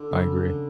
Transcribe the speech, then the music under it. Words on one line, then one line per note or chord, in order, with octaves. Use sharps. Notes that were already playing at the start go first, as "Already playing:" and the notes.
I agree.
Already playing: D3
C#3